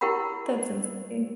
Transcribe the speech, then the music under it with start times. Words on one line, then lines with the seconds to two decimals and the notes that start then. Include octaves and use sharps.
That's insane.
0.01 E4 G4 A#4 F#5 G5 B5